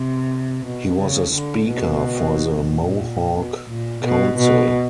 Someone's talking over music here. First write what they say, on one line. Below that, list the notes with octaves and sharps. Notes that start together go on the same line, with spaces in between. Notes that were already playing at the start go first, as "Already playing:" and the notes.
He was a Speaker for the Mohawk Council.
Already playing: C3
B2
C#3
D3
B2
A#2
B2
A#2
B2
B2